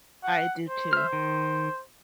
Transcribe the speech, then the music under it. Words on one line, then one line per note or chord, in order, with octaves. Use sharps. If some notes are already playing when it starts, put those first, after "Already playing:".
I do too.
F#5
C5
E5 F6
D#3